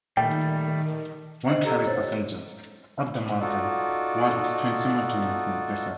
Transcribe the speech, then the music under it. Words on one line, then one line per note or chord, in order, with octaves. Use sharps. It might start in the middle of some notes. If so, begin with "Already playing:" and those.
One carried passengers up the mountain while its twin simultaneously descended.
A#2 D#3 G3 A3 G5
D4 C5 D#5 C7 F#7
G4 A4 D#5 A#5 E6
C5 C#5 A6
D#4 F4 F#4 A4 D5